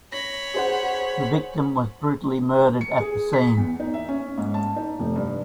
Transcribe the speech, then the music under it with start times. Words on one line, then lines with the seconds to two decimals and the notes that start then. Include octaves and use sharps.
The victim was brutally murdered at the scene.
0.12 C#5 B5 A#6
0.54 G#4 C5 F#5
2.81 C#7
3.00 G#4
3.33 B6
3.57 E2
3.80 D#4
3.94 E5
4.08 C#4
4.38 G#2
4.54 A5
4.76 D#4
4.99 F1
5.16 G2